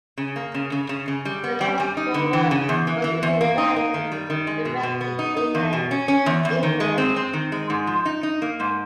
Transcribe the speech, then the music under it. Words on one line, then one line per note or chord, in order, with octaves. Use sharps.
The biological works were usually in Latin, the rest in English.
C#3
A#3
C#3
C#3
C#3
C#3
G3
B3
G3
G3
D#4
D3
E3
C#3
E2
E3
E3
E2
A#3
D#4
A#3
D#3
G3
D#3
G#3
B2
B2
B3
D#4
D#4
E2
B2
C#4
C#4
E2
E2
D#3
G#3
C4
C4
D#3
G#3
G#2
F3
D#4
D#4
A#3
G#2